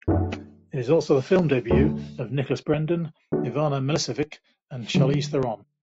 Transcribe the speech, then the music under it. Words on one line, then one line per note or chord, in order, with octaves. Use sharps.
It is also the film debut of Nicholas Brendon, Ivana Milicevic and Charlize Theron.
F#2 E3 A3 D4 F#4
E2 D3 F#3 A3
E3 A3 D4 F#4
D3 F#3